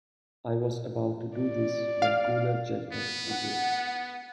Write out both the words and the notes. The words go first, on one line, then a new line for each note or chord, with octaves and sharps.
I was about to do this when cooler judgment prevailed.
D5
F5
B3
F#5